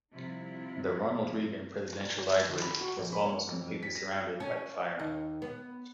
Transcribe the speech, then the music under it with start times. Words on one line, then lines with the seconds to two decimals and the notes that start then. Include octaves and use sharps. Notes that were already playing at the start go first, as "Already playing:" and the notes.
The Ronald Reagan Presidential Library was almost completely surrounded by the fire.
0.13 C3 D#3 F3 G3 E4 F4
2.47 D#3
2.60 B5
2.81 F#4
2.98 A#1
3.12 B5
3.26 C#5
3.47 F2
3.61 F2
3.83 B6
3.95 A#6
4.40 C#4
4.99 D#2
5.42 B3